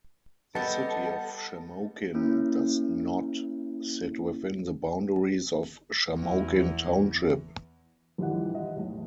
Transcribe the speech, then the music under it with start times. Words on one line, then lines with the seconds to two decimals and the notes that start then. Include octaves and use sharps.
The city of Shamokin does "not" sit within the boundaries of Shamokin Township.
0.55 G3 B3 A4 D#5
2.14 A#3 C#4 E4
6.12 E2
8.18 A#1 D#2 E3 G3 D#4 F#5
8.53 G3 D#5
8.76 B1 E2 A2